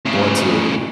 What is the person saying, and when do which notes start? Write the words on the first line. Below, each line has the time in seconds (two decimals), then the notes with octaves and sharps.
want to
0.05 A2 C#3